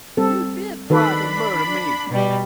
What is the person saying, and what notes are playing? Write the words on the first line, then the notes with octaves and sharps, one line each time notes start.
"You did try to murder me!"
G3 C4 A4
D#3 D4 A4 B4 B5
B2 G3